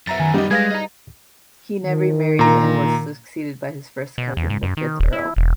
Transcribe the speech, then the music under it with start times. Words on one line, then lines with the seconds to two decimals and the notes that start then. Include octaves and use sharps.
He never married and was succeeded by his first cousin, the fifth Earl.
0.07 F#2 B3 E5 A#5 A6
0.20 D#3 G#5
0.34 G3 D#4 G4 D#5
0.51 G#3 G#4 B4 F5 G#6 A#6
0.72 D#5 A#5
1.82 D#3
2.39 A#2 A#5
4.18 B2
4.37 E2
4.50 G#2
4.63 F#2
4.77 D#3
5.00 D#1
5.13 E4
5.36 E1